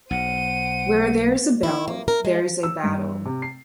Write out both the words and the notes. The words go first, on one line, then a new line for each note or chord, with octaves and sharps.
Where there is a bell, there is a battle.
B1 C5 F#5 D#7
E4
A#3
A#4
G#3
E6
G2
C3
C7